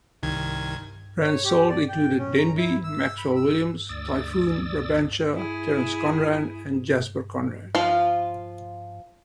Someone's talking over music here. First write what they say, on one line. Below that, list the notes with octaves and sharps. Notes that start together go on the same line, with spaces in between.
Brands sold included Denby, Maxwell Williams, Typhoon, Brabantia, Terence Conran and Jasper Conran.
C2 D#3 G#6
C#5
G4
D5
G5
C#4
A#5
E4
E6
B5
E6
D2 D5 D#6 E6 A6
E4 G#4
F3 F4